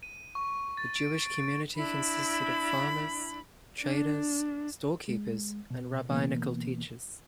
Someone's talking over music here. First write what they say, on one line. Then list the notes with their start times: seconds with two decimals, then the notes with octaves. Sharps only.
The Jewish community consisted of farmers, traders, storekeepers, and rabbinical teachers.
0.03 D#7
0.35 C#6
0.77 A6
0.96 D7
1.74 D4 E4 B5
3.81 D4
5.08 G#3
5.71 B2
6.10 B2 E3 A#3 B3